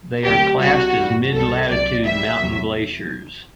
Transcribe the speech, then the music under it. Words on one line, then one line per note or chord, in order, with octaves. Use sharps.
They are classed as mid-latitude mountain glaciers.
D2 C3 F#3 G4
C2 C3 G3 F#4
G2 E3 G3
C2 B2 G3 A4
C2 C3 F#3 D5
A2 E3 G3 E5
E2 C3 F#3